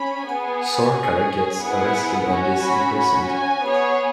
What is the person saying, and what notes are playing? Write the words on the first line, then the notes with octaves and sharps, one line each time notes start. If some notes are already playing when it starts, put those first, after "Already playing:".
Sarkar gets arrested and is imprisoned.
Already playing: C#4 B5
B3 G#4 G#5
C#4 G#4
B3 E4 G#4 F#5
C#4 F#4
B5
C#4 F#4 B5
G#5
B3 G#4 C#5